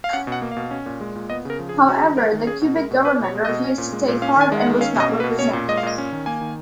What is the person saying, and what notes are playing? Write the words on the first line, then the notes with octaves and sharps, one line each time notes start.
However, the Quebec government refused to take part and was not represented.
F5
C#4 F#5
B2
F#5
A#3
F5
B2
C#4
A#2
G#3
A#2
B3 D#5
C#3 A#4
F3
G#4
C#3
C#4 F#4
G#4
D#3 F#4
G#3 A#4
D#3
C#4 G#4
B2
G#3 A#4
B2
C#4 B4
B2 C#5
G#3
B2 D#5
C#4
A#2
G#3
A#2
C#4 F5
D#3 G#5
G#3
F#5
D#3
C#4 F5
B2 D#5
A#3
B4
B2
C#4 C#5
A#2
G#3 D#5
F5
A#2 D#5
C#4
D#3
A#3 G#5
D#3